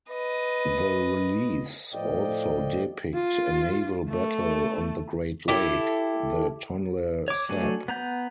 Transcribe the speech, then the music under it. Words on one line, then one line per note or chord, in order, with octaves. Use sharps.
The reliefs also depict a naval battle on the great lake, the Tonle Sap.
B4 D#5
A2 F3 D5 D#5 G5
F4
A3
E4 G4 A4
C#5 D6
F#3 A3 D4 G#5
B3 A#5 G6